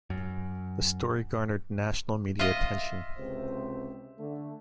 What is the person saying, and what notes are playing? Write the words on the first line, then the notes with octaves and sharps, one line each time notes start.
The story garnered national media attention.
F#2
F4 D#5 E5
C#2 C3 C5
D3 A3